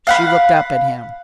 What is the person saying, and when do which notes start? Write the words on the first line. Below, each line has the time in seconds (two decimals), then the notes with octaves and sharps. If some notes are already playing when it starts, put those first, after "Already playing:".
She looked up at him.
0.07 F5 F#5 B5